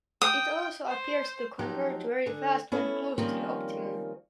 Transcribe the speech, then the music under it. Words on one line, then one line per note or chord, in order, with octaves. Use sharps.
It also appears to converge very fast when close to the optimum.
G5 D#6
C5
F3 F#3 D#4 G4
D3 G#4
B3 C#4 E4 G#4 A4 C#5
D#3 F3 G3 A#3 C4 C#4